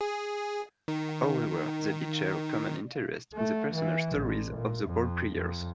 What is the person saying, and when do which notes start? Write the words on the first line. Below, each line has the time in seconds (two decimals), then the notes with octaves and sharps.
However, they did share a common interest in the personal stories of the ballplayers.
0.01 G#4
0.88 D#3
3.34 A3
3.75 E3
4.17 A1
4.56 A#2
4.86 F2
5.34 F2